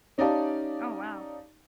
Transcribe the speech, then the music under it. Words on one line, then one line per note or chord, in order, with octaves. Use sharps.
Oh wow.
C#4 D#4 G4 D5 F5 A5